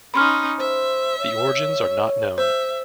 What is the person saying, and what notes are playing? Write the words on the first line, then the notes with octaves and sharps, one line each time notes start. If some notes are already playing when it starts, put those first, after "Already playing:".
The origins are not known.
C#4 D#4 B5 C6 F6
C5 E5
C#5
C5 E5